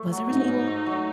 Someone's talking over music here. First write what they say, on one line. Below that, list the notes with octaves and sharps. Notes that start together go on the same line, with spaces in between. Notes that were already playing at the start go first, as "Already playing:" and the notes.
was it Resident Evil?
Already playing: A3
F#3
G#2 D#4
G#2
A3
F#3